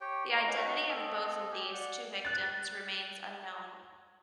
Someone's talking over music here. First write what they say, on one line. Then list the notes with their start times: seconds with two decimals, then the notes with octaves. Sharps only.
The identity of both of these two victims remains unknown.
0.01 G4 C#5 G5
0.34 G#3 A3 E4
0.47 C#4 D#4 F#4
0.88 C4 A4 D#5 F5
1.52 G4 G#5
1.73 D5 F#5
2.25 F#6 A6